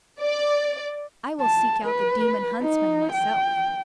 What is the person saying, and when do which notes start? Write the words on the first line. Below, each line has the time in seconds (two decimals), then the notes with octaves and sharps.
"I will seek out the demon huntsman myself."
0.22 D5
1.41 A5
1.85 B4
2.63 D#4
3.12 G5